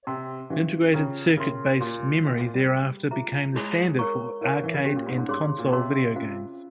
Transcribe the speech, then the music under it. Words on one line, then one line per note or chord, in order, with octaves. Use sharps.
Integrated circuit-based memory thereafter became the standard for arcade and console video games.
C3 C5 G5 C6
E3 C#4 G4 C5 F5
C#3 F4 C5 G5 A#5 C#6
C#3 A#4 E5 G5 C6
A#2 G4 C#5 F5 C6
A#2 C5 E5 G5 C6
A#2
G3
G#4 C5 G5
F4 G#4 C5 E5 A#5
G#3 E4 G#4 C#5
A#4 C#5 F5 A#5 C#6
E4 A#4 C#5 F5
C#4
E3
C#3
C#4 G4 C#5
A#2
G#2
G#2
G2 G#4 C#5 F5 C6
A#2
C3 G#4 C#5 F5 C6
C#4 F4 C5 F5